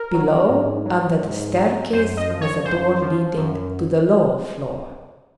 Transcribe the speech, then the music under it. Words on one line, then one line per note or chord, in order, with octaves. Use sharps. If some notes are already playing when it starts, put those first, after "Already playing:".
Below, under the staircase, was a door leading to the lower floor.
Already playing: A#4
F#3
G#2
F#3
G#2
F#3
F#2 C5
D#5
F3
C#5
F#2 C5
F3
F#2